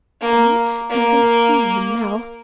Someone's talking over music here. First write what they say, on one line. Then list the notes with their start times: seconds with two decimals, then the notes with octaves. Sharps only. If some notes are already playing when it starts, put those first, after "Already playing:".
I cannot even see him now.
0.21 A#3
0.90 A#3